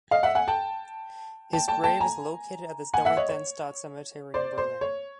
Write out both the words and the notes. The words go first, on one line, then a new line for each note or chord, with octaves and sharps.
His grave is located at the Dorotheenstadt Cemetery in Berlin.
D#5 F5
E5 F#5
F#5 G#5
G5 A5
G5 A5
G5 A5
G5 A5
G#5 A#5
F#5 G#5
E5 F#5
C#5 D#5
C#5
C5 D5
C5
C#5